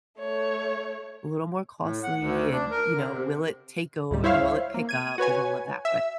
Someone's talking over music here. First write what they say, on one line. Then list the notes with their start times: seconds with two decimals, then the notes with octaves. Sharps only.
a little more costly and, you know, will it take over will it pick up and all of that, but,
0.19 A3 C#5
1.81 A2
2.03 F#5
2.19 D2
2.51 D4
2.71 A#4
2.94 D3
3.09 C3
4.11 D2 G#2 G3
4.24 E4 C5 C#5 E5 F5
4.74 A#3
4.89 G#6 D#7
5.18 F#4 B4 C#5 G#5
5.85 E5